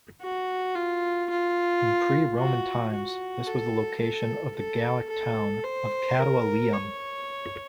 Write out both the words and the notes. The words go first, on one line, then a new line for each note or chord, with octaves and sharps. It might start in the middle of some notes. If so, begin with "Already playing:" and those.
In pre-Roman times, this was the location of the Gallic town of Catualium.
F#4
F4
F4
F#4
F#4
A4
A4
A4
A4
C5
A#4
C#5